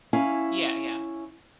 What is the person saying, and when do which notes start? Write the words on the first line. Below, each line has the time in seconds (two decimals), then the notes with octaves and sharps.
Yeah, yeah.
0.13 C#4 E4 F5 G#5